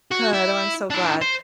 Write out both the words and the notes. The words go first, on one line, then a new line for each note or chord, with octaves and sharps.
Good. Oh, I'm so glad.
F#4
E4
D4 E4
C5